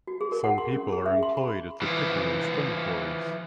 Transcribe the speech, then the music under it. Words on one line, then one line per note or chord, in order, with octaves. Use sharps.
Some people are employed at the Tiperu Stone Quarries.
F#4
G#4
A#4
F#5
C6
C#4
G#4
E5
C6
B5
E3 F3